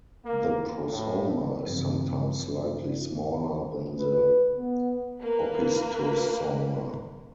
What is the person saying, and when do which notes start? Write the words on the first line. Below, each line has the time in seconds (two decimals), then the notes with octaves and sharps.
The prosoma is sometimes slightly smaller than the opisthosoma.
0.24 A#3
0.90 A2
1.65 G2 C#3 E3 F3 G3 C4
3.98 B4
4.56 B3
5.21 A#3 B4